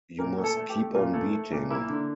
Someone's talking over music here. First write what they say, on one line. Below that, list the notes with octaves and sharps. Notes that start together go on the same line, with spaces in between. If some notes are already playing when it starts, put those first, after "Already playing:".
You must keep on beating.
A#2 A#4
A3
A4
A3
G4
A3
A#2 F4
A3
A3
A#2
A#3 E4
D3